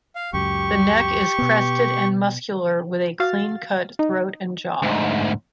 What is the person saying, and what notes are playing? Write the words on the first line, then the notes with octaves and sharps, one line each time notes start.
The neck is crested and muscular with a clean cut throat and jaw.
F5
C#2 F#2 G4 C#6
B2 B3
F#4 F5 A6
D#4
D2 G#2